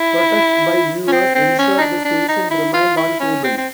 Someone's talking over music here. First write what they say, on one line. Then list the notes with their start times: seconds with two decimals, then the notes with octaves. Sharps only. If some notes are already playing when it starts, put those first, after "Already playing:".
Protests by viewers ensured the station remained on cable.
Already playing: E4
1.08 C#4
1.12 C4
1.35 C4
1.59 C#4
1.78 D#4
1.81 D4
2.05 D4
2.29 D#4
2.51 E4
2.74 F4
2.97 E4
3.20 C#4
3.44 C4
3.58 C4